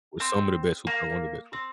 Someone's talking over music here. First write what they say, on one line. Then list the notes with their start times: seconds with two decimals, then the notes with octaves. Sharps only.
Or, some of the best hooper or one the best hoopers.
0.20 C4
0.87 A#3
1.53 C4